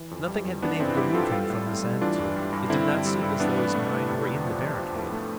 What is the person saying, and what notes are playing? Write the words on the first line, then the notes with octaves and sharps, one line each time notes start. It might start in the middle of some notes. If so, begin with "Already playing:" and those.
Nothing had been able to move him from this attitude; it did not seem as though his mind were in the barricade.
Already playing: E3
F2
G3
F2
E3 B3 D4
G2 C4 E4
G3 E4 G4
G2 F4 A4
G3 F4 A4
A2
A2
G3
E3 D4 F4
G2
G3
G2
D3 C4 E4
G2
G3
G2
E3 B3 D4
A2
A3
A2
C3
F2
F3
F2
F3
A2
A3